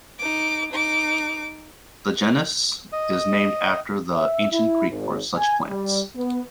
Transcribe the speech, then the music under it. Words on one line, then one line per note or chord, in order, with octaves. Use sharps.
The genus is named after the Ancient Greek for such plants.
D#4 D6
D#4 D6
D#5
E5
E4
G#1
G#5
G3
B3